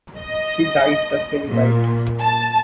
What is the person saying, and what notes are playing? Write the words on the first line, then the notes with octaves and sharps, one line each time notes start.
He died the same night.
D#5
A#2
A5